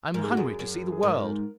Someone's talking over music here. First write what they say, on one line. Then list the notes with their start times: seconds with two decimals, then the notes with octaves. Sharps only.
I am hungry to see the world.
0.14 G#2 A#4
0.23 G#4
0.31 F#4
0.37 F#2 G#4
0.59 F#2
0.92 G#4
1.03 G#2 A#4